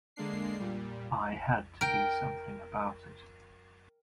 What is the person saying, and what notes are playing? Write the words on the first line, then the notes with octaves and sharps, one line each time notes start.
I had to do something about it.
D3 G#3 A#3 D4 C7
A#2 G3
A#4 G5